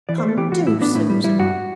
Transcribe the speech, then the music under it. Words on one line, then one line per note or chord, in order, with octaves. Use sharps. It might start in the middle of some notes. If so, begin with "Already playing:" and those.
Come, do, Susan.
E3 D5
C5
A3
A4
E3 G4
E3 F#4
A2 E4
B3 D4
A2 E4
G3
G3 E4
G2 F#4